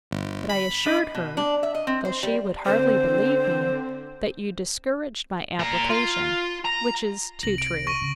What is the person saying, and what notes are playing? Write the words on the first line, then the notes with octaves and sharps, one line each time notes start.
But I assured her, though she would hardly believe me, that you discouraged my application: which is too true!
G1
B5
D4 E4 D#5
B2
D4
E5
D#5
C4
C5
G3
D3 C4 C5
A#2 A#5
F4
A#5
C2 A#6 F#7
D7
C#6 A#6 D#7
C#3